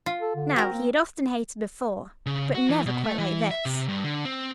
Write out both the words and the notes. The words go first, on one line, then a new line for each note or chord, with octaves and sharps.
Now he had often hated before, but never quite like this.
F4
A4
D3
C4 F#4 A#4
A#3
C#3
F#4
E3
B2
A3
E3
E5
C3
G2
D3
C4